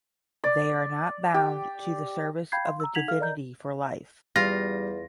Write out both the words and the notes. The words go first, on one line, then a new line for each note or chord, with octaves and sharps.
They are not bound to the service of the divinity for life.
D5
G4
F5 G5 B5 G6 G#6 C7
F5 C6
A#5 E6
D#4 F#5 G#6 B6 F7 F#7
A4 F5 F6
A#4 D5 D#5 A#5 G6
E2 G3 F4 A#6